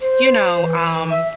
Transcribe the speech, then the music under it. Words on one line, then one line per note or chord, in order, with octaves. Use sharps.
you know, um,
C5
E3
E5